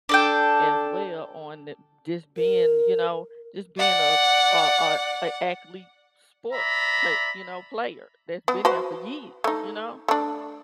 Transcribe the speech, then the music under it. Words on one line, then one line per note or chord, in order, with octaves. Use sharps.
as well on the just being, you know, just being a a a a athlete sports, but, you know, player that's been there for years, you know?
D4 A4 G5
A#4
D5 F#5
D5 E5 A#5 B5
B3
F#4 B4 C5
A3 D#4
A3 D4